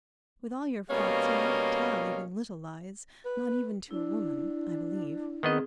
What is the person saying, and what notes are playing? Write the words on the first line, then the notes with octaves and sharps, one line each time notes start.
With all your faults, you don't tell even little lies; not even to a woman--I believe.
B2 G3 A#3 C#4 D#5 F5
B4
D4 E4
D#3 B3 C4 G#4 D#5